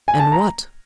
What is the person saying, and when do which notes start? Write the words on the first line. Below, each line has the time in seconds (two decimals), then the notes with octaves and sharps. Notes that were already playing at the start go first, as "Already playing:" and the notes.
"And what?"
0.08 G#5
0.19 A5
0.32 A#5